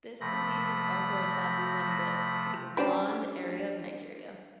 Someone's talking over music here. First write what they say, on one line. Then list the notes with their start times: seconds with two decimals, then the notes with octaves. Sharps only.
This belief is also a taboo in the Igboland area of Nigeria.
0.20 C3 F3 A3 B5 A#6
2.77 C#4 D4 G4 C5 G5 B5